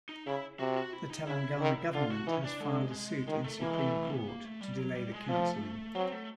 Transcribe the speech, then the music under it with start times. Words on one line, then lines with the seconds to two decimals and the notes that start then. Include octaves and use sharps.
The Telangana government has filed a suit in Supreme court to delay the counselling.
0.09 D#4
0.26 C#3 E4
0.59 C3 F#4
0.77 F#4
0.93 E4
1.10 D#4
1.26 C#3 E4
1.60 D#3
1.93 D3 F4
2.10 F#4
2.27 E3 D#4
2.37 C#4
2.44 D4
2.60 D3 G#3
3.27 D#3 G#3
3.44 A3
3.60 E3 A#3
3.71 G#3
3.78 A3
3.95 A3
4.03 C4
4.11 B3
4.28 A#3
4.45 A3
4.61 G3
4.78 F#3
4.95 G3
5.12 G#3
5.29 F3 A3
5.95 F#3 C4
6.12 A3